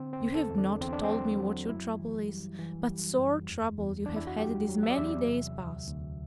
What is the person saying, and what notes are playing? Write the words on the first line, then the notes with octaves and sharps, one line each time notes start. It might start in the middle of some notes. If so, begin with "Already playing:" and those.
You have not told me what your trouble is; but sore trouble you have had these many days past.'
Already playing: D3 C4
C4
E2
A4
E2
D4
E2 C4
D4
C4
F#3
F#3
F#2 E4
E3
G3
E3
G3
F#2
E2
E2
E2 D4
E4
F#4
F#3 G4
F#3
E5
D5
E2 E5
C3
D2
D2